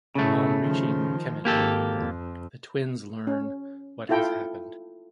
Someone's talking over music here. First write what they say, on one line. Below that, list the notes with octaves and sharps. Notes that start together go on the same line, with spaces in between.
Upon reaching Kemet, the twins learn what has happened.
A2 C#3 A3
D#3 F3
G#1 A#3 G4 A4
F2
C#4
E4 F4 A4 G5